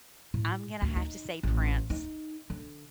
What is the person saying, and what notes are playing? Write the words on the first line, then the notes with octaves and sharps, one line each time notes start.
I'm gonna have to say Prince.
A2
D2
D#4
A1
D#4
D3